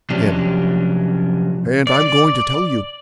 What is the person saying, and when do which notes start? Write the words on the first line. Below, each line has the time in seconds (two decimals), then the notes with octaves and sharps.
HIM: And I'm going to tell you.
0.10 C3 F3 F#3 C#4 D4 G4
1.87 D5